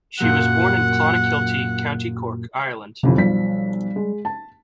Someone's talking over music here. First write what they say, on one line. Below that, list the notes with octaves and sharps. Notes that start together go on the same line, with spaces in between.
She was born in Clonakilty, County Cork, Ireland.
F#2 A#2 F#3 F#5
G1 F2 C3 E3
B1 F3 G3 B6
G#3
A5